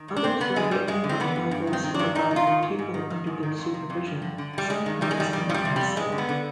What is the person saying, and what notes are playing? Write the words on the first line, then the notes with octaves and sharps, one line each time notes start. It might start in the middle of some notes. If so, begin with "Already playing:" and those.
Others were written by nobles or by people under their supervision, sometimes anonymously.
Already playing: D#3
G#2
D4
G2 C4
D3 B3
D3 G#3
G2 G3
G2 G#3
D3
C4
D3 B3
G2
G2
D#3
C4
D#3
G2 D4
G#2 D#4
D#3
F4
D#3
G#2
G#2
D#3
D#3
G#2
D#3
F2
C3
F2
G2
D3
D3
G2 G3
G2 G#3
D#3
D#3 G3
G#3
G2 G3
D#3 G3
F2 F3
G3
C3
G3
F2
G2 G#3
D3
B3
D3